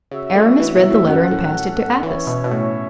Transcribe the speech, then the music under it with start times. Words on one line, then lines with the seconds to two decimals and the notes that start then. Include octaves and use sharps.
Aramis read the letter, and passed it to Athos.
0.11 C#3 F#4 C#5 E5
0.35 A3
0.60 E3
0.75 B2
0.91 A2
1.07 F#2 C#4 A4 F#5
1.31 A2
2.03 E3 C#4 E4 C#5 E5
2.27 B2
2.44 B2
2.51 A2